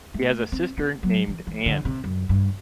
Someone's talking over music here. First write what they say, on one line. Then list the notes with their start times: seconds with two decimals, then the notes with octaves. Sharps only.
He has a sister named Anne.
0.14 A3
0.52 C4
0.77 B3
1.03 F#3
1.28 E3
1.47 E3
1.66 D3
1.85 C3
2.04 F#2
2.29 G2